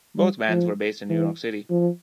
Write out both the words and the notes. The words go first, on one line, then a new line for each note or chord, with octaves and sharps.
Both bands were based in New York City.
G3
F3
E3
F3